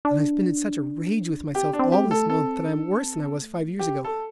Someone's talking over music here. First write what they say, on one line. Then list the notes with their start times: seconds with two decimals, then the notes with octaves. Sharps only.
And I've been in such a rage with myself all this month that I am worse than I was five years ago.
0.05 D4
1.54 C4 G4
1.73 D4
1.79 C4
1.92 G4
2.05 A3
2.11 A4
2.29 C4 A4
2.67 D4
3.04 C4
3.42 A3
3.79 C4 G4
4.04 A4